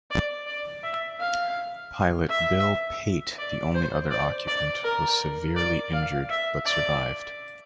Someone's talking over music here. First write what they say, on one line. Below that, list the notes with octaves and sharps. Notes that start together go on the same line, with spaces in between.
Pilot Bill Pate, the only other occupant, was severely injured but survived.
D5
D5
E5
F5
E5
D5
C5
D5
D5
A#4
D5
F5
E5
D5